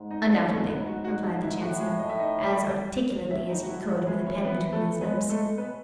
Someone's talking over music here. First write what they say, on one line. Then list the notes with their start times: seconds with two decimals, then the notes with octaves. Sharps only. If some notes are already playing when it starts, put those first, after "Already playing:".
"Undoubtedly!" replied the Chancellor, as articulately as he could with a pen between his lips.
Already playing: G#2
0.11 D#4 D#5
0.29 B3 B4
0.48 A3 A4
0.67 B3 B4
0.86 F#4
1.05 F#4
1.24 F#4
1.43 E4
1.61 A2 F#4
1.80 G#3 G#4
1.99 D#5
2.10 E5
2.19 D#4 D#5
3.31 A2 E4 E5
3.50 D#4 D#5
3.63 F#4
3.69 E4
3.88 E3 F#4
4.07 G#3 G#4
4.25 C#4 C#5
4.44 B3 B4
4.73 A3 A4
5.01 G#3 B3 B4
5.29 A3 A4
5.58 B3 B4